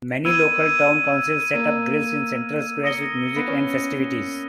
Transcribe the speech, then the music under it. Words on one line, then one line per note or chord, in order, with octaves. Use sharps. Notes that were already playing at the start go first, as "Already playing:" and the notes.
Many local town councils set up grills in central squares with music and festivities.
B3 E6 G#6 D#7
A#3
D#6 A#6 C#7 G7
B3
C#4